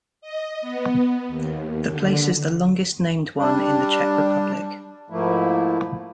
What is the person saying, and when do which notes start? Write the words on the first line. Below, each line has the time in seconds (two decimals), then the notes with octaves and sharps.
The place is the longest-named one in the Czech Republic.
0.21 D#5
0.61 B3
1.29 D#2
1.90 D3
3.39 G3 D4
5.10 G#2 F3 A3 A#3 E4